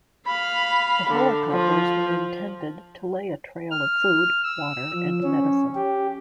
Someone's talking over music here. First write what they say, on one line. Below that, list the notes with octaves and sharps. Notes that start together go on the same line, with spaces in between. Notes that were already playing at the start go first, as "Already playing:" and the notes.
The helicopters were intended to lay a trail of food, water and medicine.
F5 B5
D3
F3
F6
E6
F3
C#4
G4